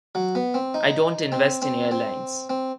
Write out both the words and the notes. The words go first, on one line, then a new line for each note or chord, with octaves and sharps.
I don't invest in airlines.
F#3
B3
C4
D#4
C4
C4
C4
C4